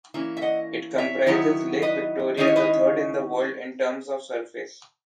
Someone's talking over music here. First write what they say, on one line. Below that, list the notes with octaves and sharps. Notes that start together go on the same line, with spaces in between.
It comprises lake Victoria, the third in the world in terms of surface.
E3 A#3 C#4 E4
E5
D#5 F#5
C#5 E5
D#3 F#3 B3 E4
B4 D#5
D#3 G#3 C#4 E4 D#5
C#5
B4 D#5